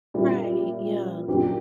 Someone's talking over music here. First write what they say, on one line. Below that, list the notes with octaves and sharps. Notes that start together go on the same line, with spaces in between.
Right, yeah.
A#2 G3 C#4 E4
A#1 A#2 F#3 C#4 G4